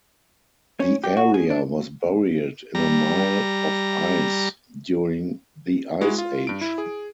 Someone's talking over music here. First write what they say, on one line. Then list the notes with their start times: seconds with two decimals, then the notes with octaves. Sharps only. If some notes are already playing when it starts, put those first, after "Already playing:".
The area was buried in a mile of ice during the ice age.
0.80 C#4
1.04 G4
1.17 F#4
1.34 G#4
1.50 D4
2.75 G3 A#5
6.01 G#3 E4 F#4
6.18 F4
6.47 G2 D7
6.61 E4
6.78 G#4